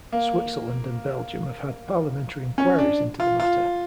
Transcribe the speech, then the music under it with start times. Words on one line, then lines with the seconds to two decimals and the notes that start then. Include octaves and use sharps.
Switzerland and Belgium have had parliamentary inquiries into the matter.
0.12 A#3
2.58 C#4
2.79 D4
3.20 F4
3.40 F4